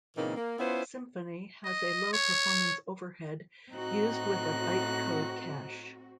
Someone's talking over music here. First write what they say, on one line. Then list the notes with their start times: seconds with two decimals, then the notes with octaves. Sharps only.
Symfony has a low performance overhead used with a bytecode cache.
0.17 A#2 C#3 E3 A#3 C4 D#4
0.37 A#3
0.59 B3 C#4 E4 F4 B4 C5
1.65 D#5
2.13 C#5
3.74 A2 C4 D#4 F#4 F#6